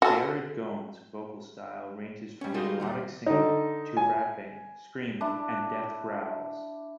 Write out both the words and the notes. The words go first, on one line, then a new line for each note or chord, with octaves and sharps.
Jared Gomes' vocal style ranges from melodic singing to rapping, screaming, and death growls.
F#4 A4
G3 C#4
G3 G#3 D#4 F4 F#4 A#4
D#2 A#2 G3
D3 D#4
G#5
D4 E4 D5